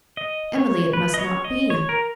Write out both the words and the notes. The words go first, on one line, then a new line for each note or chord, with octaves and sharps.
"Emily, it must not be."
D#5
C#5
B4
D#5
C#5
D#5
C#5
A#4